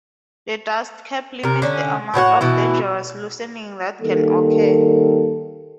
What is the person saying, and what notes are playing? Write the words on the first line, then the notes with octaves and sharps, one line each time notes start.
The dust cap limits the amount of dangerous loosening that can occur.
C3 A#4
D3 C#4
A2 F#4 C#5 F#5
B2 E3 E4
D#3 G3 A#3 A4